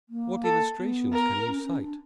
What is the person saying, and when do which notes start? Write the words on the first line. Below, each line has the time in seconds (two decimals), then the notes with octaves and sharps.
What illustrations can you cite?
0.09 A#3
0.44 A4
0.78 B3
1.13 A#4
1.46 C#4
1.64 C#4
1.81 D4